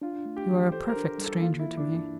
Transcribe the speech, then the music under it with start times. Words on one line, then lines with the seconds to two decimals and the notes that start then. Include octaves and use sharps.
"You are a perfect stranger to me."
0.02 D4 F4
0.25 A3
0.37 G4
0.49 E3
0.72 A4 C5
0.90 A#4
0.96 D4
1.06 A#4
1.18 G3
1.24 A4
1.42 A#3 F4
1.59 E4
1.66 E3
1.77 D4
1.88 G2
1.95 D4